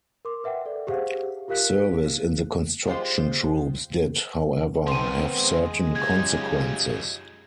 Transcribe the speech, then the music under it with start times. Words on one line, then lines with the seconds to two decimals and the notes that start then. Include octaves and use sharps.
Service in the construction troops did, however, have certain consequences.
0.25 A#4 C6 D6
0.44 B4 E5 F#5 G5
0.66 A4 D5
0.87 G4 G#4 C5 F5 F#5
1.48 F4 G4 A#4 F5 F#6 B6
2.87 G3 G#3 F4 G4 C5
4.87 D#3 F3 B3 C4 C6 D#7
5.37 G#3
5.96 F#2 C#3 D#4 F4 G4 G#6